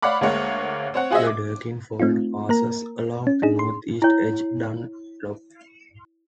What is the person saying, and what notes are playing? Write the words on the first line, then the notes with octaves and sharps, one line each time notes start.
The Deakin Fault passes along the north east edge of Dunlop.
C#5 D5 F5 F#5 B5 D6
D2 G#3 A#3 C#5 F#5
C4 C#5 F#5
F4 F#4 G#4 C5 D#5 E5
D6
A3 C4 D#4 F4
A#3 A#4 A#5
C#4
D4 D#4 G#4
C6
E4 C#5